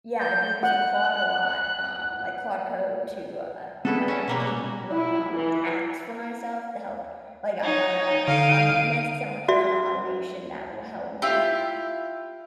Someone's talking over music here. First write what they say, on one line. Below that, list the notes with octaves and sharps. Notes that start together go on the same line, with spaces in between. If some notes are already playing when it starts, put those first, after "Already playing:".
Yeah, I've been using Claude a lot, um, like, Claude Code to, uh uh, kinda create new w um, apps for myself to help like, I got a um, next, I'm working on a automation that will help me,
G6
F#5 F#6
B3 E4 F#4 G#4 A4 B4
C#4 E4
B2 G3 A#3 C#4
A#3 F#4
E4
E3
D#4 C#5
D3 F5 D7 D#7
F#4 D5 E5
E4 F4 G4